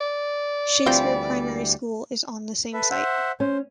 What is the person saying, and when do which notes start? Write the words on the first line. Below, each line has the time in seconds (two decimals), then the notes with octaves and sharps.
Shakespeare Primary School is on the same site.
0.01 D5
0.86 D2 E3 G3 C4 F4 G4
2.73 A4 B4 E5
2.90 C5 E5 F#5
3.40 C#4 C5